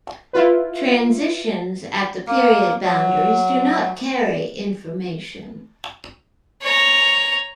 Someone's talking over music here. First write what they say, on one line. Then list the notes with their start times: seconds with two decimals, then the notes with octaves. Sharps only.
Transitions at the period boundaries do not carry information.
0.33 E4 F4 B4
2.27 A#3
2.85 F#3
6.62 C#5 A#5